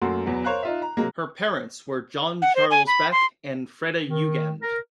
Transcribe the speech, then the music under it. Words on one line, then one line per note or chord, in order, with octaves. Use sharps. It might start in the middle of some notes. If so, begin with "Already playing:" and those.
Her parents were John Charles Beck and Freda Yugend.
F#2 A3 A#3 F#4 C6
E2 F#3 B3
A#4 C5 C#5 F5 A#5 F#6
D#4 F4 E5
A#5
C3 F#3 G#3 A#3
F#5
C5
G#5
B5
C6
D#3
A#4